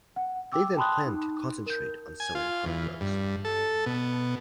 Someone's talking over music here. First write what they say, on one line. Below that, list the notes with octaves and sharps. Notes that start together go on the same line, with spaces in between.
They then plan to concentrate on selling hard drugs.
F#5
G5 D6 E6
G5 A5 B5 C6 D#6 F#6
D#4
A#4 G6
G#5
F4
E2
G2
A4
B2